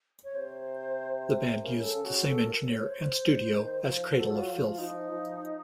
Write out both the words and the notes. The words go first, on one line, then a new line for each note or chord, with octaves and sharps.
The band used the same engineer and studio as Cradle of Filth.
C#5
C3 C5
C#3 A#4
A#4
A4
C#3
F#4
A4
A#4
C#5
C5
D#3
F3
F#3 A4
F4
F#4
F3 F4
F4
F3 D#4
F3